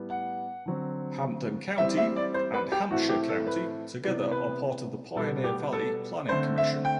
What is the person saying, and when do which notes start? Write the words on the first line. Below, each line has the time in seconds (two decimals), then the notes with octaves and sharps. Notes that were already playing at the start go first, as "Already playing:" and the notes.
Hampden County and Hampshire County together are part of the Pioneer Valley Planning Commission.
Already playing: A2 G3 B3
0.10 F#5
0.66 D3 F#3 C4
1.78 E3 G3 C4 E5
1.97 E5
2.16 D5
2.34 C5
2.54 B4
2.72 G4
2.91 A2 E3 A3 C4 F#4
3.09 G4
3.29 A4
3.47 B4
4.04 C3 E3 B3 D5
4.31 B4
5.16 B2 G3 B3 A4
5.44 G4
5.73 A4
6.29 D3 A3 C4 C5
6.58 E5
6.85 G5